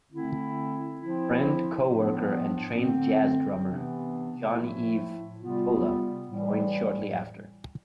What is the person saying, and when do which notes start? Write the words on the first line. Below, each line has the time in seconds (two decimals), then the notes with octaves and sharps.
Friend, co-worker and trained jazz drummer Jean-Yves Tola joined shortly after.
0.11 D3 A3 C4 E4
0.99 F3 C4 E4
1.87 A2 F3 B3 D4
2.75 D3 A3 C4
3.63 C3 E3 B3 D4
4.51 A2 F3 A3 E4
5.38 C3 G3 B3 F4
6.27 A2 E3 G3